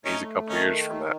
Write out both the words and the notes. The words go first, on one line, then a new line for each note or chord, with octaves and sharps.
He's a couple of years from that.
A3 C#4 D#4
D#3 C#4 D#4